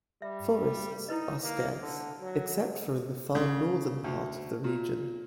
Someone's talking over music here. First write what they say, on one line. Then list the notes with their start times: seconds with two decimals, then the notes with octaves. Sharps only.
Forests are scarce except for in the far northern part of the region.
0.22 G3 E5
1.09 D#4 E4 B4 D#5
1.42 A#3
1.81 D3
2.19 F#3
3.35 C#3
4.04 D2
4.64 A#2